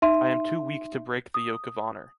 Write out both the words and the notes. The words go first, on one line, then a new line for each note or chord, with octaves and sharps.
I am too weak to break the yoke of honor.
D#4 E5 C6 D#7
D#6